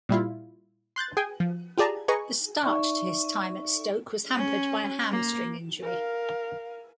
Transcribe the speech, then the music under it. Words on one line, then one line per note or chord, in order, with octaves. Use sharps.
The start to his time at Stoke was hampered by a hamstring injury.
A#2 G3 E4 F4
C6 F#6 G6 A6
G#4 G5 G#5
F3
F4 G4 G#4 D5 A5 A#5
G#4 B4 D#5 G#5 A#5 C#6
D#4 D5 E5 C#6
C#4
A#3
A#4 F5